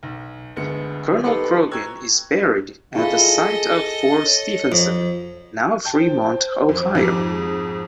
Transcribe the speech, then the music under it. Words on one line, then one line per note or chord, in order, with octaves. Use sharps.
Colonel Croghan is buried at the site of Fort Stephenson, now Fremont, Ohio.
B1
G1 D2 G#3 B3 C#7
B3 D#4 G4 A4 B4 C5
G5 A#5 C#6 E6 F#6 G#6
E4 F4 G#4 A4 D#5
C#5
F2
G5 A5 G6
C5
F2
F2 G#2 F3 G4
G#4